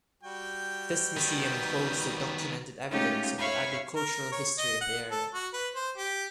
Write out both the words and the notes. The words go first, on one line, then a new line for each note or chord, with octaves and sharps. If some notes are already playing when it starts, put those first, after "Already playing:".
This Museum holds the documented evidence of the agricultural history of the area.
G3 F#4 G5
D#3 B3
G#3 A3 C#4 D#4 F4 G4
C#5 E5 F5 G#5 B5 C#6
A#4
C#5
D#5
F#5
A4
F#4
B4
C5
G4